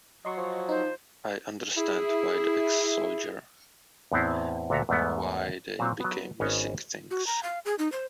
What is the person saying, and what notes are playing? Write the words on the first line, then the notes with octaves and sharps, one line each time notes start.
I understand why the ex-soldier, why they became missing things.
F#3 D#5 C6 C#6
F3
D#4 C5
E4 G#4
E2 A2 B3 C4 E4
D2 A#2 F#4 A4 E5 A#5
E2 G#2 G3 A3 B3
A#2 F#3 A3 C4
F#3 B3
G#1 B3 C#4 G#4 C#5 D#5
F#4
A#5
F5
G#4
D#4
C5